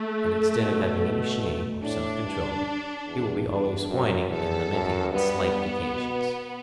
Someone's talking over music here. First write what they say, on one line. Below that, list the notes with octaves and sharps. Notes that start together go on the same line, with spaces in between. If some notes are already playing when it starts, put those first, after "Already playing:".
And instead of having any shame or self-control, he will be always whining and lamenting on slight occasions.
Already playing: A3
B2
A2 D4
G2
E2
E2 D4
F#2
E2 A4
F#2
G2 B3
B2